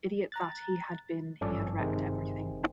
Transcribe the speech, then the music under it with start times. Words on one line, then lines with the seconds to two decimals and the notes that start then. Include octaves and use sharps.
Idiot that he had been, he had wrecked everything!
0.32 A#5 F#6 A6
1.41 G#1 G2 F3 C#4 A4 D5
1.79 C3 D#3 G#3